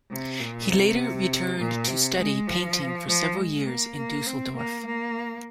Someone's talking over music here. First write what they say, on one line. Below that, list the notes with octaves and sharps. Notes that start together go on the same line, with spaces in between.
He later returned to study painting for several years in Düsseldorf.
C3
A#2
C3
A#2
C3
G#3
F3
F3
G#3
A#3
A#3
C4
A#3
A#3